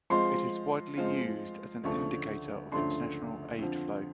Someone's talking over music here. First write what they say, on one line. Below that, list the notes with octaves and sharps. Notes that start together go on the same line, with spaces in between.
It is widely used as an indicator of international aid flow.
F3 G#3 C4 F4 C6
F3 G#3 C4 F4
D2 C#3 F3 A3 D4 C#6
D2 C#3 F3 A3 D4 C6
F2 D3 F3